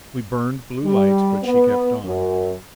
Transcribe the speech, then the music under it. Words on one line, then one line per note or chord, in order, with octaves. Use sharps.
We burned blue lights, but she kept on.
G3
B3
F#2